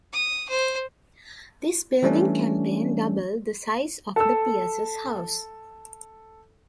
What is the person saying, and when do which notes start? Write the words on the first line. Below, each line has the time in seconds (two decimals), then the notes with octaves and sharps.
This building campaign doubled the size of the Peirce's house.
0.13 D#6
0.49 C5
2.03 E3 G3 A3 C#4 D4
4.16 A4 E6